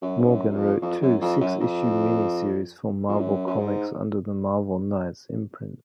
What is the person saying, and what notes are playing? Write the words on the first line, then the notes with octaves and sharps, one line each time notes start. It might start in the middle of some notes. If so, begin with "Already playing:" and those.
Morgan wrote two six issue miniseries for Marvel Comics under the Marvel Knights imprint.
F#2
G#2
F#2
F#2
F2
F2
F#2
F2
F#2
F2
F2
F#2
F#2
G#2